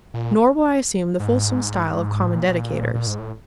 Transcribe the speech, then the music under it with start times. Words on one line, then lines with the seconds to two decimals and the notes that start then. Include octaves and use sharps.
Nor will I assume the fulsome stile of common dedicators.
0.14 A#2
1.20 G#2
2.25 A2
2.36 A#2
2.48 A#2
2.94 A#2
3.07 G#2
3.19 A2